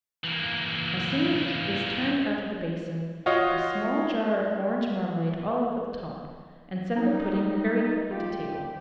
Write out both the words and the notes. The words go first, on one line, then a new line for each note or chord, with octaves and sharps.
As soon as it is turned out of the basin, put a small jar of orange marmalade all over the top, and send the pudding very quickly to table.
E3 A#3
F4 F#4 C#5 D#5 F5
F#3 G3 D#4 A#5
F4 G4